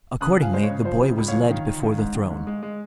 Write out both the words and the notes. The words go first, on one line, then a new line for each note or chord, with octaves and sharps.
Accordingly, the boy was led before the throne.
C#3 D#6 F#6
F3
F5 G#5
G#3 C5
C#5
C#3
F3 C5
C#3
C#2
C#5 F5
F3
D#3
D#3
D#3
G#2
D#3
G#2
G#3
G#3